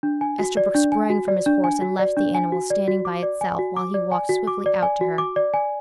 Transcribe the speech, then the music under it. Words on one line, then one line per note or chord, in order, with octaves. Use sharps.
Esterbrook sprang from his horse and left the animal standing by itself while he walked swiftly out to her.
D4
G#5
F#4
D5
D4
G#5
F#4
D5
D4
G#5
F#4
D5
D4
G#5
F#4
D5
F#4
D6
D5
G#5
F#4
D6
D5
G#5
F#4
D6
D5
G#5
F#4
D6
D5
G#5